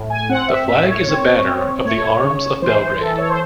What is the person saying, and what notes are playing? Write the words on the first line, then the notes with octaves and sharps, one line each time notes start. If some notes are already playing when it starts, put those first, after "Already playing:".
The flag is a banner of the arms of Belgrade.
Already playing: A2
G#5
C4 F#5
E5
A2 E5
C#5
C4
C4
A3 C#5
C#3
E3 C5
E3 A4
C#5
C5